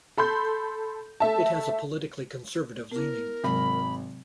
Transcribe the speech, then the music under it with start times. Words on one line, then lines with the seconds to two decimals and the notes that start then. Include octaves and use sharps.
It has a politically conservative leaning.
0.18 A4 B5 C6 G6
1.20 A3 E5 A5
2.92 B3 E4 A#4
3.44 G#1 C3 F#3 G#3 B5